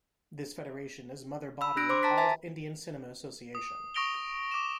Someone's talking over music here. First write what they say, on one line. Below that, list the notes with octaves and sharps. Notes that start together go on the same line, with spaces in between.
This federation is mother body of all Indian Cinema association.
B5 E6
D4 F#6 A#6 D7
C5 C6 D6
A5 A#5 A6 B6
E5 G#5 A5 A6 B6
D#6
C#6 D#6 A#6 D7 F7 G7
D6 E7